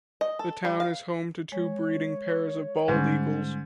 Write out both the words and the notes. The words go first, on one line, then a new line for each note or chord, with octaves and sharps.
The town is home to two breeding pairs of bald eagles.
D#5
A4
G3
F5
G#3 C#5
G#2 D3 G3 C#4